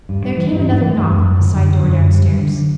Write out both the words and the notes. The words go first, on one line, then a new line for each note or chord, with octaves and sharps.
There came another knock on the side door downstairs.
G2
G3
E3
G2
G2
E3
G2
F#2
F#2
D3
F#2
D3
F#2
F#2
G3
D3
D3